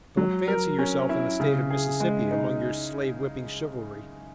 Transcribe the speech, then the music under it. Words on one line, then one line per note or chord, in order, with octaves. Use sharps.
Don't fancy yourself in the state of Mississippi--among your slave-whipping chivalry.
F#3
A#4
C#4
E4
C#3
G#4
G#3
D#4